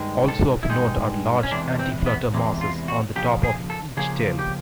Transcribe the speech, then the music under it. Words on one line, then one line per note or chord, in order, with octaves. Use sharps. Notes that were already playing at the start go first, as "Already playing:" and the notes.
Also of note are large anti-flutter masses on the top of each tail.
Already playing: G2 D#3 G#3
A4
E4
G2 D#3 G#3 D#4
C#4
E2 C3 E3 G#3 D4
C4
B3
E2 C3 E3 G#3
F4
F#4
C#3 F3 A#3 G4
G#4
A4
C#3 F3 A#3 G#4
G4